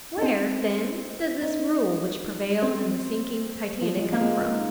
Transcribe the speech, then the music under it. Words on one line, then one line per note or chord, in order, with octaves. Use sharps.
Where, then, does this rule which prevailed in the sinking Titanic come from?
D#4
C4
D#4
C4
F3
G#3
F3
A#3
G#3
A#3
D#4